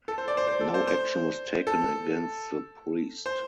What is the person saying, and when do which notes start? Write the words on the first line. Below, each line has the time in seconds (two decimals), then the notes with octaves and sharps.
No action was taken against the priest.
0.08 A4
0.18 C5
0.28 D5
0.37 C5
0.47 C5
0.61 A4
0.74 C5
0.87 C5
1.67 A4
3.26 C5